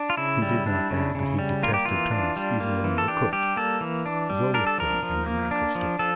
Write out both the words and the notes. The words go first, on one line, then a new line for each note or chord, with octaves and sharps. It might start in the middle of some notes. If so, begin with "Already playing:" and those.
He did not add that he detested turnips even when they were cooked--loathed them in their natural state.
Already playing: D4
F4
C#3 E4
G3
D4
C#3
C#3
G3
A#3 F4
G4
E3 F4
D4
G3
A#3
E3
A4
D4 G4
G3 G4
A#3 A4
E3
D4
G3
D4 A#4
A4
F3 A#4
F3
A#3
D4
F3
F3 A4